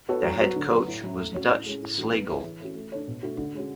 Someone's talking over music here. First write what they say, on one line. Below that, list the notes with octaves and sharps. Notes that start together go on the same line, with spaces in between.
Their head coach was Dutch Slagle.
B3 F#4 A4 C#5
F#3
B3 F#4 C#5
D3
F#3 B3
A2
F#3 C#4 E4
A3
C#4 F#4 C#5
A2
G#3 C#4
A2
E3 A3 D4 F#4
B3
E4 G#4 C#5
E3
A3 C#4 F#4
A3
D4 A4 C#5
B2
A3 D4 F#4
D3
G#3 C#4 F#4